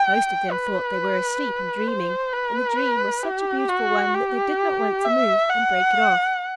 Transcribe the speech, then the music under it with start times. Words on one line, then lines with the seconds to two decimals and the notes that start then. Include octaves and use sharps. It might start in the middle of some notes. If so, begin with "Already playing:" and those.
Most of them thought they were asleep and dreaming, and the dream was such a beautiful one that they did not want to move and break it off.
Already playing: G5
0.52 B4
1.87 C5
2.33 B4
3.23 G4
3.69 F#4
4.14 G4
5.05 E5
5.50 F#5